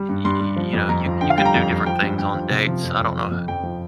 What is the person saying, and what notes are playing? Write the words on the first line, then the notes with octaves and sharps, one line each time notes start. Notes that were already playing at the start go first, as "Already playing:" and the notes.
y y y you know, you c you can do different things on dates, I don't know i
Already playing: G3
G2
G2 C6
G3
F3
F2
F2 A#5
F3
D3 G5
F5
G3 G5
A#5
F2
F2
F3 G5
G2
G2 G5
F3
C3
F3
F2
F2
F3
F2
F2 G5
F3